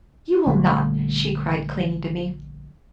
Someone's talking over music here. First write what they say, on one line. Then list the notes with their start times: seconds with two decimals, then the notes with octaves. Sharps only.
"You will not!" she cried, clinging to me.
0.46 A#1 D3 G3 A3